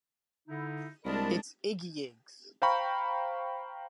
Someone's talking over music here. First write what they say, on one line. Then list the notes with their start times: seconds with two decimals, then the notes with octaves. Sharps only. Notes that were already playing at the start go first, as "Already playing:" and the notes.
It's Iggy Iggs.
0.48 D3 D#4 E4
1.05 C2 G#3 D4 A#4 D#5 A5 B5
2.62 C5 F5 G5 A#5 B5 C#6